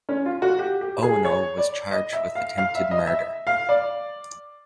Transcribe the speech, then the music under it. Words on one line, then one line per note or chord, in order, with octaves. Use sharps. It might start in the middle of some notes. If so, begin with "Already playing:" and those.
Owino was charged with attempted murder.
C#4
F4
F#4
G4
G4
G#4
C#5
D5
D#5
E5
F5
F5
E5
D#5
E5
F5
D5